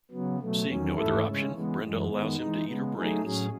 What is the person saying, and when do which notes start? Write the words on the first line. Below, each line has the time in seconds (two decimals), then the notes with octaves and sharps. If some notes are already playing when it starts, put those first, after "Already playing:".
Seeing no other option, Brenda allows him to eat her brains.
0.11 C#3 F#3 B3
0.38 B2 F#3 A3
0.67 E2 D#3 F#3 C#4
0.95 G#2 E3 A3 E4 A4
1.24 C#3 G#3 C#4
1.51 E3 G#3 B3
1.80 F#2 E3 G#3
2.08 D#3 G#3 B3
2.37 E3 G#3 D#4
2.65 C#3 G#3 B3
2.93 F#3 A3 D#4 G#4
3.21 A2 F#3 C#4 G#4